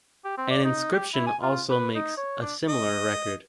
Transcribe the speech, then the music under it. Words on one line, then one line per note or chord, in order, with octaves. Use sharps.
An inscription also makes a similar record.
G4
C4
D5
D#4
G4
E4
G#5
F4
B4
D#4
C#5
D4
D#5